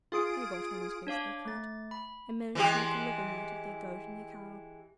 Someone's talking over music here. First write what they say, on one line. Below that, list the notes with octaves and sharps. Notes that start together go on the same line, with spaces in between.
They got on as best they could, and managed to make a living out of their goat and their cow.
F4 G#4 D#6 D7
D4 C#5 F5 D6
A3 A6
B5
E3 G#3 G4